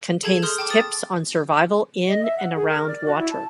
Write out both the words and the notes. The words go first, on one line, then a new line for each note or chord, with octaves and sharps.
Contains tips on survival in and around water.
G#4 A4 A5 G#6
C6 D#6 F6 G6
G5 A5 D6
D#6 A6
D#5
E5
F#5
G#4
A#4
D5
F#4
E4
A5